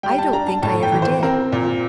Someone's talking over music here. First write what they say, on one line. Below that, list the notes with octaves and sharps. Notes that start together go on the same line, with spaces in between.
"I don't think I ever did."
G3 G5
A5
D4 A#5
A5
A2 A5
G5
E3
C5
C4 A#4
A#2